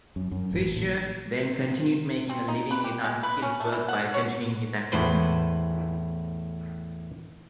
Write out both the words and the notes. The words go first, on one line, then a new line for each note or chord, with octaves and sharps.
Fischer then continued making a living with unskilled work while continuing his activism.
F#2
F#2
A1
A#1
C4
D#4
B4
G4
G#3
B4
C#4
A3
E3
F#5
C#5
E2 A2 B4 C5